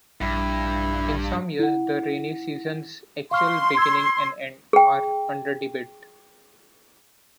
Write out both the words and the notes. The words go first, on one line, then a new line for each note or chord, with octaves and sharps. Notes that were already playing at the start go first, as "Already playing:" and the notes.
In some years, the rainy season's actual beginning and end are under debate.
A#1 G2 E4
E4 F#5
F5 C6 C#6 F6
E6 G#6
G#4 G5